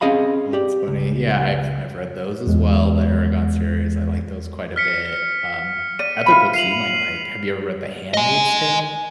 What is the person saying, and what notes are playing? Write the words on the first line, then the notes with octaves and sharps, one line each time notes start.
Oh, it's funny. Yeah, I've I've read those as well, the Eragon series, I like those quite a bit, um, other books you might like, have you ever read The Handmaid's Tale?
C4 C#4 G#4 D#5 F5 B5
G4 D5
C#2
E2 G#3
F6 B6 C#7
D5 D#7
F4 E5 B5
C7 F7 F#7
D#5 G#5